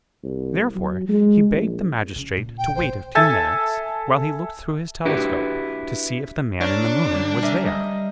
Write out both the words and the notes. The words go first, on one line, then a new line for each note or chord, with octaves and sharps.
Therefore he begged the magistrate to wait a few minutes while he looked through his telescope to see if the Man in the Moon was there.
C2
F#3
G#3
A#1
C#3
A#2
G5
A1 D3 C5
A4 E5 G#5 E6 G#6 A6
D4 E4 F#4 G4 B4
D4 A#4 C#5
D3 G3
A#4 E5 G#5
G3 D#5